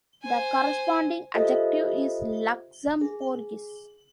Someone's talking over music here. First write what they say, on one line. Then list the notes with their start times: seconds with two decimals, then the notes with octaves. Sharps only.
The corresponding adjective is "Luxembourgish".
0.22 C5 G#5
1.34 F4 G4 A4 C5 D#5 E5
3.01 G#4